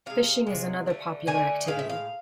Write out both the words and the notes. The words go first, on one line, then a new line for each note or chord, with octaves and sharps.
Fishing is another popular activity.
C3 G#3 F5
C3 G#3
D3 A3
D3 A3 G#5
A2 G#3 F5
E5
F5